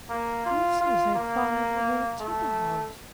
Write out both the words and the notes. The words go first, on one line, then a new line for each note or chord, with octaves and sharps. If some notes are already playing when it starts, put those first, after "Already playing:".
This is a fine old timber-house.
A#3
F4
F4
A#3
A3